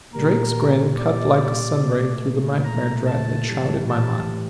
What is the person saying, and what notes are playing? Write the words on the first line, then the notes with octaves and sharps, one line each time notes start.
Drake's grin cut like a sunray through the nightmare dread that shrouded my mind.
A#2 G3 A#4
D5
A#2 A3
A#5
A5
A2 E3 G3
A5